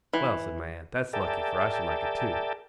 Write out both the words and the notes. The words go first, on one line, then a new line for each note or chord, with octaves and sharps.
'Well,' said my aunt, 'that's lucky, for I should like it too.
E3
G#4 A#4 D5 E5 G5 A5